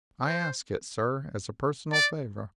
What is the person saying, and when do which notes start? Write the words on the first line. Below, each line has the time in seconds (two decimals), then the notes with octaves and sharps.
I ask it, sir, as a personal favor.'
0.24 C5
1.93 D5